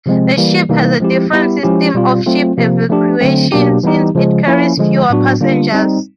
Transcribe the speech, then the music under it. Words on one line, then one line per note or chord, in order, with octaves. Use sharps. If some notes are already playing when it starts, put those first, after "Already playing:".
The ship has a different system of ship evacuation since it carries fewer passengers.
C3 F3 G#3 C4
E3 G3 A#3
C3 E3 G3 A#3 D#4
F3 G#3 C4 E4 G4
G3 B3 E4 G4
F3 G#3 C#4 E4 G4
B2 G3 C4 F4
F#3 A3 C4 F4
C3 F3 A#3
F3 A3 D4 G4
D3 F#3 A3 C4
B2 F#3 A#3 D4 G4
E3 G3 B3 D#4 G4
C#3 F3 G#3
F3 A#3 C#4 E4
D3 F3 G#3
A2 F#3 B3 D4 F#4
D3 G3 A#3 D4 F4
G3 C4 D#4